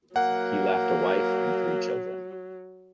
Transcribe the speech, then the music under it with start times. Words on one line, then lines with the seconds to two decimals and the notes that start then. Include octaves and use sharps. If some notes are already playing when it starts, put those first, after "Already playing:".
He left a wife and three children.
0.16 F#3 A#3 F#5